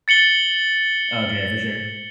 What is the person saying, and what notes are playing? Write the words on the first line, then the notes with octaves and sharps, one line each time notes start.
Okay, for sure.
A6 C#7 F#7 G7